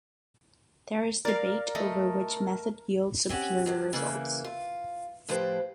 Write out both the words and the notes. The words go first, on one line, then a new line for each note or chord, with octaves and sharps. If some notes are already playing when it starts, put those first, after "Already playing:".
There is debate over which method yields superior results.
A#4 D5 F5
A3 A4 D#5
C4 C#4 G4 F#5
G2 F#3
C#3 E3 A#3
F4
A2 F3 G4 B4 C5